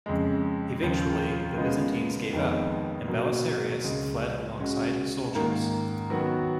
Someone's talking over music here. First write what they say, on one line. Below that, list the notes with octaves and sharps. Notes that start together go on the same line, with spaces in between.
Eventually, the Byzantines gave up, and Belisarius fled alongside his soldiers.
F2 C#3 G#3
D#2 C#3 F3
C#3 G#3 B3 F4
F2 D#3 G#3 B3 D#4
B2 F#3 A#3
C#2 C#3 G#3
C#3 G#3 C#4 F#4
G#2 D#3 A#3
D#3 F#3 B3 F#4